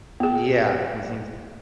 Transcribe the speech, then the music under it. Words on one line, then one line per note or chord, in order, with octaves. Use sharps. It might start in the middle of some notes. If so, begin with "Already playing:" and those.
Yeah. Mhm.
B3 G#4